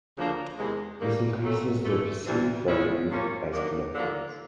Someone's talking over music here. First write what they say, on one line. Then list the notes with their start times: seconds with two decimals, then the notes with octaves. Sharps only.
This increases their perceived value as collectibles.
0.17 D2 C#3 F3 A#3 D4
0.58 E2 C3 D#3 G#3
1.01 G2 D#3 G3 A#3
1.43 A#2 F#3 A3
1.84 G#2 E3 A3
2.26 D2 C3 E3 G3
2.68 A2 F3 G#3 C#4 E4
3.11 C3 F3 A#3 C#4
3.52 D#2 D#3 F#3 A#3 D4
3.94 D#2 D3 F3 A#3